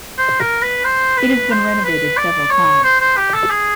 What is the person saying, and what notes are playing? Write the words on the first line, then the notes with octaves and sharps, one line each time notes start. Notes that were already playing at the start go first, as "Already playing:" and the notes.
It has been renovated several times.
C5
A#4
B4
C5
B4
C5
B4
D5
C#5
C5
C5
G4
A4
G#4